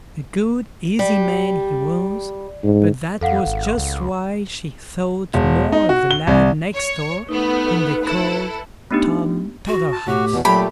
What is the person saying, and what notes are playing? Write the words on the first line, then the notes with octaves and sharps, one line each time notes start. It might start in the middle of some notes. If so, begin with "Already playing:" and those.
A good, easy man he was, but that was just why she thought more of the lad next door, whom they called 'Tom Totherhouse'.
G3
G#2
F2 A4 F5 F#5
G#1
C#2
E1
D#4
F#4
G7
C2
C#5
A3 B3 D#4 B4
E4 A4
A3 B3 D4 D#4 G4
F#4
A5
A2 F#4 G4
E2 B2
A#2 F#3 A3 G4 B5